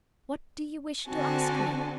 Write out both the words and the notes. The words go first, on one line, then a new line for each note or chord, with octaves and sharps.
"What do you wish to ask me?"
D3 C4 F#4 G#5 A5